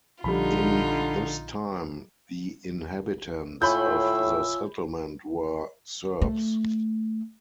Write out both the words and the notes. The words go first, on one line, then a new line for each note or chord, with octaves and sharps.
In this time, the inhabitants of the settlement were Serbs.
A#1 D3 F3 G3 D#4 F4 B5
A2 F4 C#5 E5 G#5 B5 G6
A3